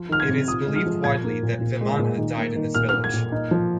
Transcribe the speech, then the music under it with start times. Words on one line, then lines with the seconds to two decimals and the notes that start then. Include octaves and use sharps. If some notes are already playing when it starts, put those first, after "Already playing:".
It is believed widely that Vemana died in this village.
Already playing: F3 F4
0.09 D#3 F6
0.20 G#6
0.29 C3
0.47 F4 D#6
0.67 G#3
0.76 F6
0.86 F3
1.04 A#2 G#6
1.24 A#3
1.43 A#2
1.61 A#2
1.81 G#3
1.99 A#2
2.18 D#3
2.37 A#3
2.56 D#3
2.75 A#2 F6
2.89 F6
2.93 A#3
3.04 G#6
3.13 A#2
3.32 D#4
3.51 F3